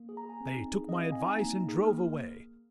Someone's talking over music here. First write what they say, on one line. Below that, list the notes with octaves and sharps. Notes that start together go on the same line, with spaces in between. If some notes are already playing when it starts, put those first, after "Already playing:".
They took my advice and drove away.
Already playing: A#3
G#4
A#5
G#4 G#5
C4
D#4
G#4
C4 D#5
F5
C4
G#5
D#4 A#5
A#3
D#4
G#4
A#3 F6